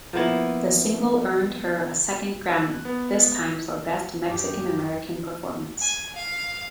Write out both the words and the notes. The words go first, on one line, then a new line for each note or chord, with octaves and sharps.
The single earned her a second Grammy, this time for Best Mexican-American Performance.
F3 A#3 B3 E4
F#6
B3
F#2 D#3 F#3 G4
G#5
F5